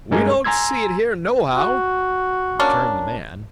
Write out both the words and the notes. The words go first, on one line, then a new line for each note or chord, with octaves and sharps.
"We don't see it here nohow," returned the man.
G2 G#3 A#4 G#5
G#5 A#5 C6 E6 G#6
F#4
A#3 C#4 D4